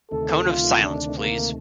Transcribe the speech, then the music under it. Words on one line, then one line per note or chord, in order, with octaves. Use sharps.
Cone of silence, please.
D2 C3 D#3 A3 A4
F4
D4
A#3